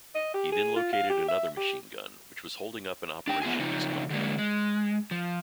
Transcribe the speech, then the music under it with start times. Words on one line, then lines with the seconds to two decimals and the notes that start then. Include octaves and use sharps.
He then located another machine-gun which was holding up an operation of his company.
0.15 D#5
0.34 G4
0.52 G#4
0.76 F4
0.93 F5
1.10 G4
1.29 E5
1.57 G4
3.27 D4 G5
3.42 B3 F4 G#4 G#5
3.59 C#3 F3 C4 D#4
4.10 D3 G3 G#3 A#3
4.38 G#3
5.11 F3